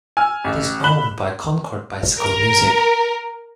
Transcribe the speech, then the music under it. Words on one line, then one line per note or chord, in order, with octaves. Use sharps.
It is owned by Concord Bicycle Music.
G#5 E6 F6
A1
B5 F#6 E7 F#7 G7
A#4